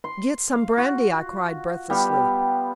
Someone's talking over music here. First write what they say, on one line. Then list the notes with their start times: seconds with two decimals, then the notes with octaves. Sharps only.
"Get some brandy!" I cried, breathlessly.
0.04 C6
0.55 F5
0.77 F4 F#4
1.90 G3 B3 F4 G4